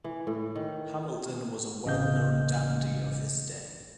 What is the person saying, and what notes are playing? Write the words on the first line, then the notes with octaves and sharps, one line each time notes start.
Hamilton was a well-known dandy of his day.
E3
A2
D#3
A1 C#3 D#5 F5 G6